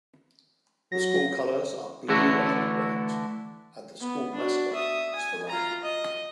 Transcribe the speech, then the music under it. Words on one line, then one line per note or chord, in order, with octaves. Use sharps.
The school colors are blue and white and the school mascot is the ram.
F#3 A#6
D3 E3 A3 E4 F#4 A4
B3
D4 F#4
E5 D#6
G#5
F4 A#5
D#5